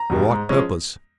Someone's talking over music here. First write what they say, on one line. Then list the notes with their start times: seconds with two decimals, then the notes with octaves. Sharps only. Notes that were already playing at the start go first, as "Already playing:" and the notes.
"For what purpose?"
Already playing: A#5
0.10 E2 B2 G3
0.30 G#2
0.49 F3 G#3 C#4